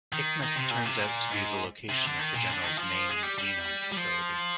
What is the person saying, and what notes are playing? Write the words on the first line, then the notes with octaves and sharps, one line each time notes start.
Icnus turns out to be the location of the General's main Xenome facility.
D#3
D#3
C3
A#2
C3
A#2
G#2
C3
D3
D#3
A#2
D3
D#3
F3
G#3
G3
G3
G3
F3